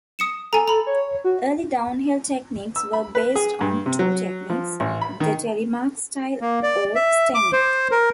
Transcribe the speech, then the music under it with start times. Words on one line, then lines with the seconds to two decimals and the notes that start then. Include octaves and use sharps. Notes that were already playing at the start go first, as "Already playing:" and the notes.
Early downhill techniques were based on two techniques, the telemark style or stemming.
0.19 D#6 C#7 E7
0.53 A4 G#5 A#5
0.68 A#5 B5
0.87 C#5
1.24 F#4
2.76 E6
2.93 B5
3.15 B4
3.36 G#4
3.61 G2
3.86 C3
3.99 F#3
4.50 F3
4.80 A1
5.01 B5
5.20 D#3
6.41 A#3
6.63 D5
6.95 E5
7.34 D6
7.53 C5
7.91 A#4